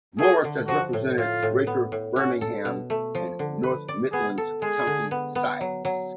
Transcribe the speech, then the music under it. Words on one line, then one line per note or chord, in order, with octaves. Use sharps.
Morris has represented Greater Birmingham and North Midlands county sides.
A3 G#4
D3
F3 F#4
A2
A2 F4
A2
B3
A2
C#4 F#4
A4
B2
A3
F3
D3
B4
D5
B3 G#4
A4
G#3 G#4
D3
B3
B3
F#3
F#3